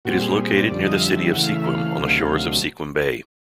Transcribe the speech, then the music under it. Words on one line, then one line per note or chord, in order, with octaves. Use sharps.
It is located near the city of Sequim on the shores of Sequim Bay.
A#2 G3 C4 F#4
G#4
G#4
D5
F2 D3 G3 D5
D#5
F5
E5
E5
C#3 E3 A3 F#5
F5
E5
F5
D2 C3 D#3 F#3 A3